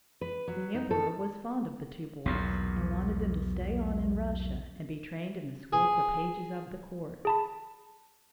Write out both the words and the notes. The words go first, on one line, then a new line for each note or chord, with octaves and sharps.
The emperor was fond of the two boys and wanted them to stay on in Russia and be trained in the school for pages of the Court.
B4
F#3
D#4
A4
B1 E2 A#2
G#4
G#4 A5 B5